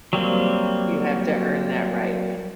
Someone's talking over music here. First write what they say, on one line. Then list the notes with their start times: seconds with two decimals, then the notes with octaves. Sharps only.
You have to earn that right.
0.13 F#3 G3 A#3 C4